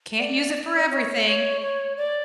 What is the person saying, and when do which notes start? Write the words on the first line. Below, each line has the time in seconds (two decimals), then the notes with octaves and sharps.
Can't use it for everything
0.18 D5
0.90 C#5
1.26 C#5
1.61 C#5
1.97 D5